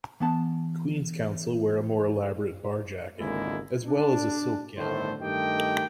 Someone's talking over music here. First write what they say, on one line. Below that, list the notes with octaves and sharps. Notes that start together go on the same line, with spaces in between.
Queen's Counsel wear a more elaborate bar jacket as well as a silk gown.
E3 B3 A5
G#1 C#2 D3 G#3 A#3 E4
D4
G1 A2 D3 D#3 A3 C5
G2 D#3 A3 G4 D#5 G5